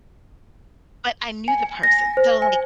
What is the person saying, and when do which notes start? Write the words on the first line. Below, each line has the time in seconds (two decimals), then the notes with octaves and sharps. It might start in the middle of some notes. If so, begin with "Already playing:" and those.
but I knew the person. So, like,
1.48 G#5
1.83 A#6
2.17 C5
2.42 G#5